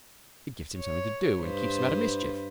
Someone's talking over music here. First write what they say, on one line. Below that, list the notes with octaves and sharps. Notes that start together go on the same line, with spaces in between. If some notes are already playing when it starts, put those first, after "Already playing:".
It gives him something to do and keeps him out of mischief.
C#5
G2 B4 C5